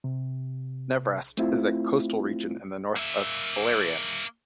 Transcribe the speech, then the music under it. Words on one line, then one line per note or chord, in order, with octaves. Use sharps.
Nevrast is a coastal region in the north of Beleriand.
C3
A3 C4 E4 F4
A#3 E5